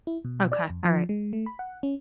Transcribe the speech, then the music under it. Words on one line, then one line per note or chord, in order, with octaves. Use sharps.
Okay, alright.
E4
B2
D5
F2
F3
G#3
A3
B5
F#5
C#4